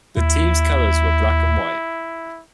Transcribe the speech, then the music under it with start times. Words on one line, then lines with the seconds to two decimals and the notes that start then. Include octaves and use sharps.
The team's colors were black and white.
0.17 D#2 E4